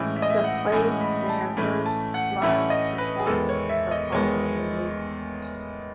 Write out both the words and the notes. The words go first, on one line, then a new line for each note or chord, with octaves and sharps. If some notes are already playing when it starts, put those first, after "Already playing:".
The played their first live performance the following week.
Already playing: A2 E3 G#3 C#4
E5
D#5
E5
F#5
A2 E3 G#3 C#4 G#5
B5
B5
A5
A2 E3 A3 C#4 B5
A5
F#5
A2 E3 A3 C#4 E5
D#5
B4
G#4
E2 D#3 G#3 B3 A4
C#5
E5
D#5
E2 D#3 G#3 B3 C#5